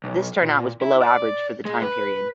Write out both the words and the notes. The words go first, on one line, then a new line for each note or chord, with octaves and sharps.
This turnout was below average for the time period.
B1
A#2
E4
D5
G#3
B4